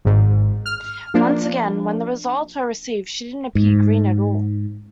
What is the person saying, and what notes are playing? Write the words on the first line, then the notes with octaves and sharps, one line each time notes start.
Once again, when the results were received, she didn't appear green at all.
G#1 G#2
F6
F3 A#3 D4
G#2